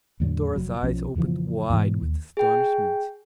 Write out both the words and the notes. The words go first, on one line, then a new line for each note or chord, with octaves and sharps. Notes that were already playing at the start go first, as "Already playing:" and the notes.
Dora's eyes opened wide with astonishment.
E2 A2 D3 F#3
F1 F#3
B1 F3 C#4
F2 C#3 E3 F3
G#2 B2 E3 G#3
D#2
G#4 G5